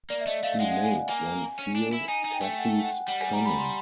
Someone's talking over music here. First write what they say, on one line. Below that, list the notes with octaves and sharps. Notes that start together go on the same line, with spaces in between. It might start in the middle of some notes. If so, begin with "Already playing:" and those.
He made one feel Taffy’s cunning.
A#3 D5
E5
A3 D#5
A3 F5
G#3 F#5
F#5
G#5
A#3 G#5
C#4
D4
E4
D#4 G#5
D#4
G5
A3
F#5
F#5
G3 F#5
G#5
A#5
B5
C6